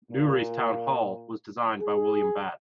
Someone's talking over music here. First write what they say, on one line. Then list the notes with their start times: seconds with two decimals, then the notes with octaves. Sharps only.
Newry's town hall was designed by William Batt.
0.11 A#2
1.81 G#4